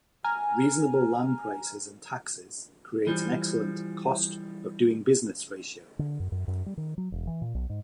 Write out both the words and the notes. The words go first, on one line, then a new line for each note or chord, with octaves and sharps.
Reasonable land prices and taxes create an excellent "cost of doing business ratio".
G#5 A#5 F6
E3 F3 G3
D3
F#2
F#2
F#2
G3
D#3
F#3
E1
E3
A#2
B1
G#2